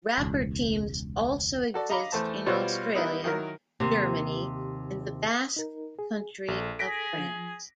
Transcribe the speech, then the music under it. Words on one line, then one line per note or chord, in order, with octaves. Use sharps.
Rapper teams also exist in Australia, Germany and the Basque Country of France.
E1 C#2
F#4 A4 D5
D#5 F5 A#5 B5 D6
E2 A3 C5 A5
B2 G3 F4 C5 C#5
G3 B3 D#4 E4 A#4 B4
D#3 F#3 E4 A#4
D#2 C3
D#4 A#4
G#4
A#1 A4
G#4 A#6 B6 D7
F3